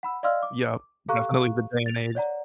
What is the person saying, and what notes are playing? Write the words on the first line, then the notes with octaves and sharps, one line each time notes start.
Yep, definitely the day and age.
F#5 B5 E6
D5 D#5 F5 C6 E6 F6
D6
G4 A4 F5 A#5 C#6 F#6
A6 F7
C#5 D5 F#5 A#5